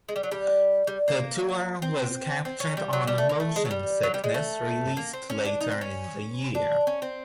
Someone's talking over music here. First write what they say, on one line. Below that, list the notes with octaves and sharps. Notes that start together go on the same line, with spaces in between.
The tour was captured on "Motion Sickness", released later in the year.
G#3
G3
F#3
G3
G3
A#3
C4
C4
C#4
G3
F#3
G3
A3
A#3
A3
G#3
F#3
G3
F#3
G3
G#3
A3
A#3
C4
C#4
D4
D#4
C4
C#4
D4
C#4
C4